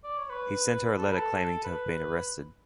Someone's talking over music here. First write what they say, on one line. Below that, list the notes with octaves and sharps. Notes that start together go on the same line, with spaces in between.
He sent her a letter claiming to have been arrested.
D5
C#5
B4
A4
B4
A4
B4